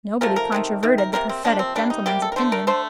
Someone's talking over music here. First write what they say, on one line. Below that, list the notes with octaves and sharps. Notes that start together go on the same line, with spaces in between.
Nobody controverted the prophetic gentleman's opinion.
C3 F3 A3 A#4
A#4
C3 D#3 A3
C3 D#3
A#4
C3 F3 A#3 A#4
C4
C3 F3 A#3 D4
C4
C3 G3 A#3 D4
D#4
C3 G3 A#3 G4
A4
A#4
D3 A3 C5
A#4
D3 A3 C5